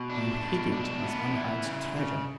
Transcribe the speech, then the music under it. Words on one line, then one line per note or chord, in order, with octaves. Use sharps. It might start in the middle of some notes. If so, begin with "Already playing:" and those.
You hid it as one hides treasure.
Already playing: B2
D4
B2
D4
B3
E3
C#3
C#3